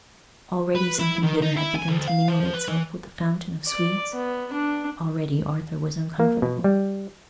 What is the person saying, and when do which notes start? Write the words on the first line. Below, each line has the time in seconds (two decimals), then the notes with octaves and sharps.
But already something bitter had begun to mingle itself with the fountain of sweets: already Arthur was uncomfortable.
0.75 B4
0.99 E4
1.23 D#3
1.42 D#4
1.56 E4
1.75 G#5
1.88 D2
2.07 F5
2.28 F3
2.40 F3
2.54 B4
2.68 E3
3.67 D5
4.13 B3
4.53 D4
6.20 A#3
6.42 B2
6.64 G3